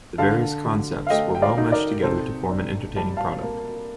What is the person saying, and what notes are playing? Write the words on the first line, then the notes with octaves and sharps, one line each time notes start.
The various concepts were well meshed together to form an entertaining product.
D3 F5 A5
D3
F5
A3 D#5 G5
G5
D5 F5
D#4
A#4 D5
C3 A4 C5
D4
G3 A5
F5 A5
A#3